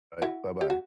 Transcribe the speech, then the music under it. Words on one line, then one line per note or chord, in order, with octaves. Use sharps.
Alright, bye-bye.
E4 F#4
G4
F#4